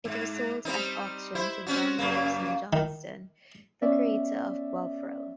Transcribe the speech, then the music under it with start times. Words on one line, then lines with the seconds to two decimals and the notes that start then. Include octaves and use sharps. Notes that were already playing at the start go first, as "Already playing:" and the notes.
It was sold at auction to John Lawson Johnston, the creator of Bovril.
0.05 G#2
0.65 G3 C4 D#4
1.35 E4 C5
1.67 C4 C#4 F#4
1.98 F#2 C#3 A#3
2.73 D#3
3.82 B3 C#4 D5 E5